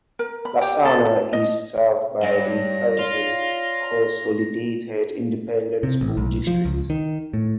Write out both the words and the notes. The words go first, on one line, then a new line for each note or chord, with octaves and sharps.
Lasana is served by the Harlingen Consolidated Independent School District.
A#4
B5
G4
A4
D#5
G2 C#5 D5 A#6
F4
C3
A1
B1
F3
C#2
D#3
A2